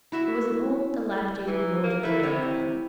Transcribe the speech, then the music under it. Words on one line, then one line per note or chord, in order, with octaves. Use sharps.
It was an old, dilapidated, mouldering dovecot.
E4 F#4 E5
E3 D#4 G4
A#3 A#4
A3 E4 A#4 B4
C3 C4 C#5